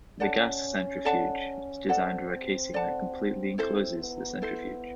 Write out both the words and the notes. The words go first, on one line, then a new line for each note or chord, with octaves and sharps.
The gas centrifuge is designed with a casing that completely encloses the centrifuge.
C#4 A4 D5 F#5 A5
A4 D5 F#5 A5
C4 A4 D5 F#5 A5
A4 D5 F#5 A5
C4 E4 A4 C5
B3
E4 A4 C5